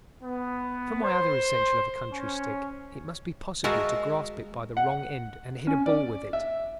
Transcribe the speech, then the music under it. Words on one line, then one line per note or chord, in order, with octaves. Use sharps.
And, for my other essential of a country stick, it must be possible to grasp it by the wrong end and hit a ball with it.
B3
C5
C#4
G#3 F#4 A#4 E5 F5 A5
F#5
C#4
D5
E5